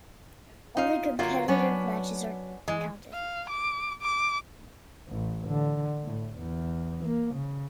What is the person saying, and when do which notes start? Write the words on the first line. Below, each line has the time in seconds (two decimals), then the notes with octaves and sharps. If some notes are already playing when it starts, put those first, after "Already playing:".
Only competitive matches are counted.
0.77 D#4 F4 F5
1.19 D3 F#3 A#3 F4 A#4 E5
1.48 F#3 B3 C#4 D4
2.68 E3 G#3
3.13 F5
3.50 D6
4.02 D6
5.09 A1
5.47 D3
6.04 A2
6.39 E2
7.04 A#3
7.34 C#3